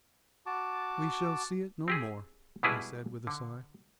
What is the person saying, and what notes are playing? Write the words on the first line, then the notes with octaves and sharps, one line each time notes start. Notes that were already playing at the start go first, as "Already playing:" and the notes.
"We shall see it no more," I said, with a sigh.
F#4 A5 D6
C4 G4 G#4
B2 G3 G#3 E4 G#4 B4
D3